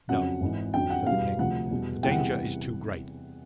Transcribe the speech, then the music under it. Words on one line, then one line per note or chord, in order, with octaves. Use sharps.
'No,' said the King. 'The danger is too great.
F2 C#3 F#3 F#5
G#1 G#2 E3 G#3
F2 D3 F#3 G5
F#5
E2 B2 G3 F5
D2 C3 F3 F#5
E2 B2 G3
E2 C3 E3 G3 G5
F#5